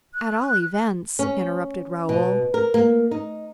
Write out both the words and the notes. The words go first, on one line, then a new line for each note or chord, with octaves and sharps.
"At all events--" interrupted Raoul.
F#6
C#4
B2
A#4
A#3
D#4